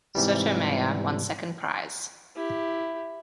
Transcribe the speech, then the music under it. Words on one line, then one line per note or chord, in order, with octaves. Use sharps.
Sotomayor won second prize.
G#2 C3 E3 G3
E4 G4